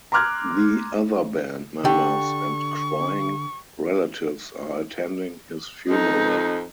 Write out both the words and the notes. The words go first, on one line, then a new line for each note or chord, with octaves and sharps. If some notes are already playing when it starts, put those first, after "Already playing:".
The other band members and crying relatives are attending his funeral.
A#5 C6 D6 F6 F#6 G#6
D3 G4 C#6
F2 D#4